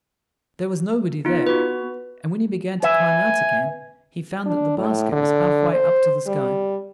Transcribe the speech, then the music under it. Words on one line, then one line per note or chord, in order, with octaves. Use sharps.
There was nobody there; and when he began to climb out again he found that the basket was half way up to the sky.
B3 D#4 F4
F#4 B4
B4 E5 G#5
D4
A2
D3
C5
G3